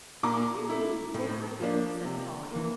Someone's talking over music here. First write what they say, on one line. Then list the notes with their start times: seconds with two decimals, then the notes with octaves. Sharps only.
"Dear me, did I?" said Polly.
0.23 A#2 A#5 D6
0.69 A3 E4
1.14 A2
1.60 F3 A#3 D4
2.05 C3
2.51 E3 A#3